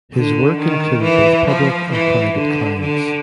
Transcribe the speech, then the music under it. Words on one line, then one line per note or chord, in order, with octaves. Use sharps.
His work included both public and private clients.
D3
D#3
E3
F3
E3
D3
D3